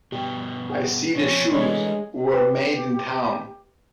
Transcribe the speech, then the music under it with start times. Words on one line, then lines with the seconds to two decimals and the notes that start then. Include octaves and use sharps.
I see the shoes were made in town.
0.12 G2 B2 G4
0.70 G#4 F#5 G5
1.15 B2 F3 C4 C#4
1.52 E3 G#3 A3 D4 C#5
2.32 F4 G4 B4 G5